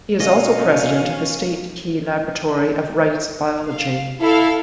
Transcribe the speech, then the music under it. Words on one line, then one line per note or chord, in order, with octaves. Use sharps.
He is also president of the State Key Laboratory of Rice Biology.
B2 C#4 D#5 F5
F5
E4 A4 F5